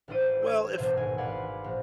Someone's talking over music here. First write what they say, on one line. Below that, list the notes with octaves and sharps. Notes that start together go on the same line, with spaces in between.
Well, if
A1 G3 D4 E4 C5 D#7
E6 G#6
A1 B2 C5 E5 C6
D#1 G#1 B2 G#5
D5 F5 F#5 G#5 B5 C6
A#1